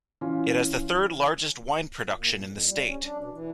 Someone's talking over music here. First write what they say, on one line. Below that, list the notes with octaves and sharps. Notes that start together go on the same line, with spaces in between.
It has the third-largest wine production in the state.
E3 C#4 F4
A#2
A#2
F#2
F2
G3
C#4
D4
B2
E3